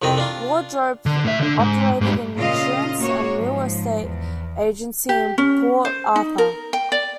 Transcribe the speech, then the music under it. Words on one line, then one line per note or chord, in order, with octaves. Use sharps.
Wardrope operated an insurance and real estate agency in Port Arthur.
C2 F2 D#3 C4 D#5
D4 F4
D3
A2 E5
D3 D4
G#2
G#2 G3
A#2 C#3 F4 D#5 F5
A#3 F#4 C#5
G#2 F3
E2
G4
C#4
C5
D#4
A#4
G5
D5